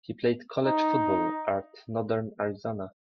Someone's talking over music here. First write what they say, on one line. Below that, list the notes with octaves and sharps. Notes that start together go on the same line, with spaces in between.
He played college football at Northern Arizona.
D#4